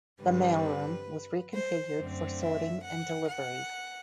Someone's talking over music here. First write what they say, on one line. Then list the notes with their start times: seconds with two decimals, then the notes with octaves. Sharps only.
The mailroom was reconfigured for sorting and deliveries.
0.22 G2 D3 G3 C4 B4
1.54 C5
1.97 F#2 D3 A3 C4
2.41 E5
2.85 F#5
3.30 F#5